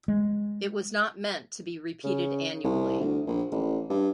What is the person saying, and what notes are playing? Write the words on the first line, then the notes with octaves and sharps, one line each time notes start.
It was not meant to be repeated annually.
G#3
C#3
C2
D2
A#1
A1
G2